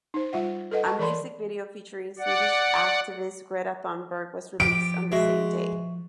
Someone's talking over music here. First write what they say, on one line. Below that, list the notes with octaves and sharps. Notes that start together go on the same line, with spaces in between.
A music video featuring Swedish activist Greta Thunberg was released on the same day.
D#4 C5
G3 F4 E5 F#5
A4 B4 D#5 F#5
A5 C#6
E3 A#4 D5 B5 C6
D5 F#5
F3 G4 D7
G#3 F#4 E5